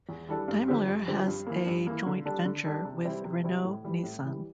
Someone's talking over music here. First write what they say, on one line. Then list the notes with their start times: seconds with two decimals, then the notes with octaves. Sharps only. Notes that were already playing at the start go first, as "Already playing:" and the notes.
Daimler has a joint venture with Renault-Nissan.
0.09 E2
0.28 E3 G3 D4 A4
0.48 G2
0.68 D3 F3 C4 G4
0.87 G2
1.08 D3 F3 C4 G4
1.28 G2
1.47 E3 A#3
1.66 G2
1.87 E3 A#3
2.06 D3
2.26 G3 D4 A4
2.45 D3
2.65 G3 D4 A4
2.85 C3
3.05 E3 G3 C4 E4
3.25 C3
3.44 E3 G3 C4 E4
3.65 A2
3.84 E3 G3
4.03 A2
4.24 E3 G3